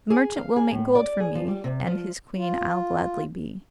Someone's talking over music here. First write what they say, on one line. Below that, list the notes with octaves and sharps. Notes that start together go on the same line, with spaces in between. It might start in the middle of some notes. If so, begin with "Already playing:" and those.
The merchant will make gold for me And his queen I'll gladly be.
G#4
F5
G#4
A2
D5
G#4
F3
G3
C3
F3
F4